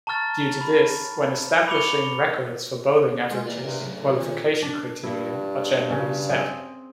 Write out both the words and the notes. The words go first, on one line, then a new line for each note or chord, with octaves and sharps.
Due to this, when establishing records for bowling averages, qualification criteria are generally set.
A5 A#5 C#6 F6 A6
B5
B5 C#6 D6 C#7 F7 G7
G#3 F4 G#4
E3 A#3 D5 F5
G2 C3 A#4 C5
A2 C#3 F#3
A#2
D#3
D4
G2 E4
C#3
C4 G#4